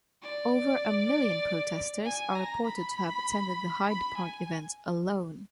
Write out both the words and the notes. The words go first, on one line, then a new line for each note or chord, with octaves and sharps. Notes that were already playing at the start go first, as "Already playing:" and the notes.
Over a million protesters are reported to have attended the Hyde Park event alone.
D5
G#5
A#5
B5
B5
G#5